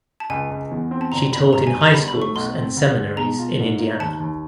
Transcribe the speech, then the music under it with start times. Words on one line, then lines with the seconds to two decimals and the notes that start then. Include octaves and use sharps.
She taught in high schools and seminaries in Indiana.
0.20 A5
0.30 C#2 G#5
0.51 C#2
0.71 E2
0.91 C4
1.01 A5
1.12 G1 A#5
1.33 G1 B5
1.53 G2 A#5
1.67 G#5
1.74 G2
1.81 A#5
1.94 G1 B5
2.08 B5
2.15 A3
2.22 C#6
2.35 B1 C6
2.56 C4
2.76 D2
2.98 G#3
3.17 B2 A#5
3.38 F4
3.59 G#2
3.79 A#3
4.00 D#2 A5
4.20 D#2